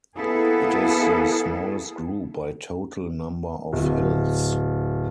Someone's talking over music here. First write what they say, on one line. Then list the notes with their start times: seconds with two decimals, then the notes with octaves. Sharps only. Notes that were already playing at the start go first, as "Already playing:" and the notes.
It is the smallest group by total number of hills.
0.16 A#3 B3 E4 G#4 A4
3.73 D1